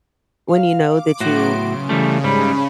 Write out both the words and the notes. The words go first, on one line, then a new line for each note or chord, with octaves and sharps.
when you know that you
F5
D6
A2 F#3 B3 F#4 C6 D7
C#3
E3 G3 A3
G#2 G3 B5